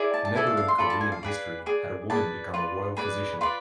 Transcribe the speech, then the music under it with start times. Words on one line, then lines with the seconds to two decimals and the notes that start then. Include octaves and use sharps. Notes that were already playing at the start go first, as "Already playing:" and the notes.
Never in Korean history had a woman become a royal physician.
Already playing: E4 G#4 D5
0.14 A5
0.25 A5
0.35 E4 A4 D5 G#5
0.47 F5
0.57 F5
0.68 C6
0.78 F4 A4 D5 B5
0.90 A5
1.01 G#5
1.12 F5
1.23 G#4 B4 D5
1.66 G#4 D5
2.10 G#4 B4 D5 A5
2.54 F4 B4 D5
2.97 G#4 B4 D5 B5
3.41 F4 B4 D5 C6